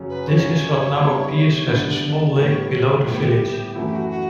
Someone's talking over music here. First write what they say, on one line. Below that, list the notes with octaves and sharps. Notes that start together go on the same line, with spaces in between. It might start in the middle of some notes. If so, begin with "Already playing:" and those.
This is what now appears as a small lake below the village.
Already playing: F#2 C#3 F#3 C#4
B4
F#2 C#3 F#3 C#4 C#5
D3 G3 B3 E4
D3 G3 B3 E4 D5
A2 G3 B3 C#5
A4
A2 G3 B3 G4
F#2 E3 A3 E4 F#4
G4
F#4
F#4